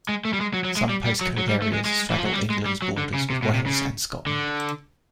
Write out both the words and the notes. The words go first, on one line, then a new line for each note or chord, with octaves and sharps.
Some postcode areas straddle England's borders with Wales and Scotland.
G#3
A3
G3
G#3
F#3
F#3
G#3
G3
G3
F#3
F#3
G3
A3
G#3
G#3
E3
F3
F#3
G3
G#3
G3
F#3
D3
C#3
C3
B2
C3
C#3
D3